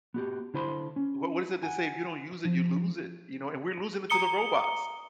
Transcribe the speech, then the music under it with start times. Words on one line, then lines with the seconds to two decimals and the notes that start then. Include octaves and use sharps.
What was it they say, "If you don't use it, you lose it," you know, and we're losing it to the robots.
0.14 B3 F#4 G4
0.54 D3 E4 C5 B5 C6
0.96 C#4
1.63 F#5 G#5
2.45 F3
4.10 A#5 D#6 C#7 G7